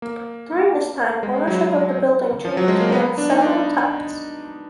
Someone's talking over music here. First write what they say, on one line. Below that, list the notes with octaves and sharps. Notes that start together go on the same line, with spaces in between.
During this time ownership of the building changed hands several times.
A#3
G#3
F#3
F3
F#3
G#3
A#3
B3
D4
D#4
D4